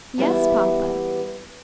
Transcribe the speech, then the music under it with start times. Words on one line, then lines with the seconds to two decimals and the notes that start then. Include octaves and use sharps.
"Yes, papa."
0.18 E2 G3 B3 E4